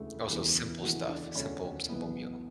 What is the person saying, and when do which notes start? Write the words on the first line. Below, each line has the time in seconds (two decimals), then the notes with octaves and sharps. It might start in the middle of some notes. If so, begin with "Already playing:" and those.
Oh, so simple stuff; simple simple meal.
Already playing: E1 D2 C#3 E3 A3
0.29 E1 D2 C#3 E3 B3
0.83 E1 D2 C#3 E3 F#4
1.09 D4
1.35 E1 D2 C#3 E3 C#4
1.89 B1 A2 E3 B3